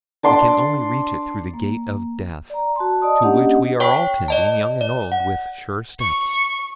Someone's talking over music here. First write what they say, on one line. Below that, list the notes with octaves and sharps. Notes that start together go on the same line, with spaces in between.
We can only reach it through the gate of death, to which we are all tending, young and old, with sure steps.'
D4 D5 C6 D6
A#3
D5 A#5
F#4 A5 C6
D5 D#5 A5 D#6
A#3 C#4 D4 G4 D#5 F#5
C#5 G5 C#6 B6
D5 D#5 A5
D5
F#5
C#6